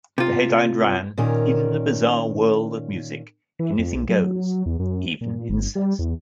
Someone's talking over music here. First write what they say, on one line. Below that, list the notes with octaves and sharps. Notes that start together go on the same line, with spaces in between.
The headline ran, In the bizarre world of music... anything goes - even incest.
C3 F4
A#2 D#3 C#4 A#4
E3
F2
B1
F#3
E2
F#2
A#2
G1
G3
E2